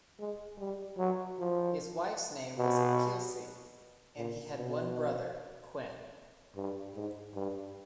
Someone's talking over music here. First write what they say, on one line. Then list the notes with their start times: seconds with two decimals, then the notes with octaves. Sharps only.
His wife's name was Kylsea, and he had one brother, Quinn.
0.20 G#3
0.59 G3
0.98 F#3
1.39 F3
2.58 B2
4.17 A#2
4.56 B2
6.56 G2
6.95 G#2
7.35 G2